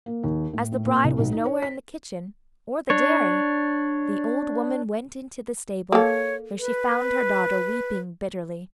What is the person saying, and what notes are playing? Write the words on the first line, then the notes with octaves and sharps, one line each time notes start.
As the bride was nowhere in the kitchen or the dairy, the old woman went into the stable, where she found her daughter weeping bitterly.
A#3
D#2
A2
A2
A#2
C2
B1
D#4
C#5
B6
D4 C#5
A#3 A4 C#5
B4